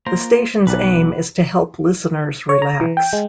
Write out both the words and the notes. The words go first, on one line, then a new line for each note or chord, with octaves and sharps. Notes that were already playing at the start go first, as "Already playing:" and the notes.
The station's aim is to help listeners relax.
A#3 F4 C5 A#5
B1 B4 D5 F#5
C#5
A#5
E3
G5
G#3